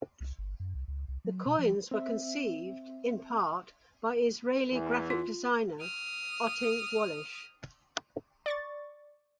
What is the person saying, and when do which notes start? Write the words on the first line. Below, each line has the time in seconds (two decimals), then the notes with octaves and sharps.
The coins were conceived, in part, by Israeli graphic designer Otte Wallish.
0.20 C2
0.38 G1
0.60 F#2
0.75 C2
0.88 C#2
1.08 C2
1.25 F#3
1.46 B2
1.59 F3
1.91 C4 E5
4.72 E2 E3
5.10 F4
5.80 D#6 F6
8.46 D5 C#6 A6